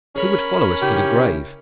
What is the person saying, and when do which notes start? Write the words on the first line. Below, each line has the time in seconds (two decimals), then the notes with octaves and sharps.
Who would follow us to the grave?
0.16 C#4 G#4 A#4 C#5 B5
0.82 C#3 D#4 E4 G4